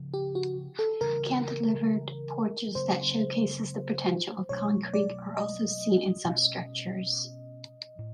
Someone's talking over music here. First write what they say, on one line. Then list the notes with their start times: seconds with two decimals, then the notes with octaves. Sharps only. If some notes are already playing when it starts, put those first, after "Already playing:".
Cantilevered porches that showcases the potential of concrete are also seen in some structures.
Already playing: C#3 F3 C#4
0.14 G4
0.35 F#4
0.79 A4
1.01 C#3 E3 G3 A#4
2.75 C#3 F#3 A#3 C#4 C5
4.49 B2 F#3 A3 D4 C#5
4.94 D5
5.37 D#5
6.25 B2 G#3 C#4
7.98 A2